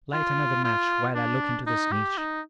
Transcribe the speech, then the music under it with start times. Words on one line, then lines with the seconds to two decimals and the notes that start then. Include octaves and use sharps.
Light another match while I look into this niche.
0.13 F4
0.64 F4
1.15 D4
1.67 D#4
1.92 G4
2.18 D#4